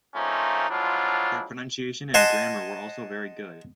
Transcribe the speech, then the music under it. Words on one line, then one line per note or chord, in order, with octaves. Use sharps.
Their pronunciation and grammar were also very good.
F3 A3 A#3 C4 C#4 D#4
F3 F#3 G#3 D4 E4 F4
D#5 F#5 G#5 A5 C6